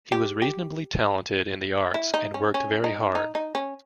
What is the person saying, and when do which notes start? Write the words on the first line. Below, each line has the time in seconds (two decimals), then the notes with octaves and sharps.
He was reasonably talented in the arts and worked very hard.
0.12 G4
0.42 G4
1.94 E4
2.14 D#4
2.34 C#4
2.54 C#4
2.84 D#4
3.15 D#4
3.35 D#4
3.55 C#4